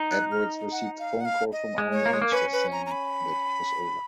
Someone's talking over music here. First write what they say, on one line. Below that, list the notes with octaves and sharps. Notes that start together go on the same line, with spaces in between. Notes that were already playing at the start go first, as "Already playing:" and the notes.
Edwards received a phone call from our manager saying that it was over.
Already playing: D#4
F#6
F6
F#5
F5
F#5
F5
D#5
G#3
C#5
A#3
G#3
A#3
C#4 B4
B4
A#5
A#5
B5